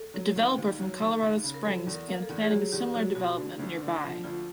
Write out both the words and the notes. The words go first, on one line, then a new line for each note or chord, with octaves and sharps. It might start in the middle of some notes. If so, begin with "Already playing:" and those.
A developer from Colorado Springs began planning a similar development nearby.
Already playing: A4
F#3
D#2
D#2
F#3
D#2
D#2
C#3
A#4
F#3 A4
E2
A#4
A#3
A4
E2
G#4
F#3 G4
E2 G4
F#3 F#4
B2 F#4
D3
D2
D3
F3
D2 F4